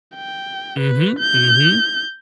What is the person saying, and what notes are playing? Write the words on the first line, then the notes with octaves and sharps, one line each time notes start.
Mhm, mhm.
G5
B4
G6